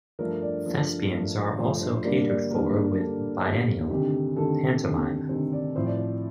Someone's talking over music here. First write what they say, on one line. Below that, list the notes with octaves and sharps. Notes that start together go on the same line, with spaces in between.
Thespians are also catered for with the biennial pantomime.
G2 F3 A3 D4 A#4
D5
G2 F3 A3 D4
G2 F3 A3 D4
G2 F3 A3 D4 C5
C5
C5
G2 D3 G3 A#3 D5
D5
G2 D3 G3 A#3 A#4
G2 D3 G3 A#3 A4
G2 D3 G3 A#3
D2 C3 D#3 G4
D2 C3 D#3 A4
D2 C3 D#3
D2 C3 D#3 C5
D5
A2 F3 C4 C5
D5
C5